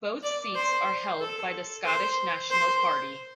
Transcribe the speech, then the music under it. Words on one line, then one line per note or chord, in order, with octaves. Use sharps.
Both seats are held by the Scottish National Party.
D5
C5
A4
C5
C5